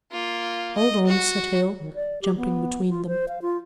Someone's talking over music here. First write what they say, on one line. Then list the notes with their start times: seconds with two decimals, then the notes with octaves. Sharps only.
"Hold on!" said Hale, jumping between them.
0.12 A#3 F4
0.77 D#5
1.07 F#4
1.80 D#3
1.95 D5
2.22 G4
2.37 B3
2.90 F4
3.07 C5
3.28 F5
3.42 F4